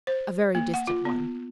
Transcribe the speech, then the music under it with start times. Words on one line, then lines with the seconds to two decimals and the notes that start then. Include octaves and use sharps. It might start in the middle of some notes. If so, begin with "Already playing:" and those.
"A very distant one."
0.07 C5
0.55 A#3
0.74 F#5
0.87 F4
1.05 B3